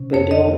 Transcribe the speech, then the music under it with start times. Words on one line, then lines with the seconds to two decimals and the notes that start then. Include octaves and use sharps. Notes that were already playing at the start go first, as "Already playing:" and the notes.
but don't
Already playing: C3 C#4
0.13 F2 C#5
0.31 D#5